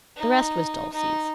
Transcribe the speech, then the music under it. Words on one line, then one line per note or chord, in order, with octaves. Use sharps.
The rest was Dulcie's.
D#4
D#4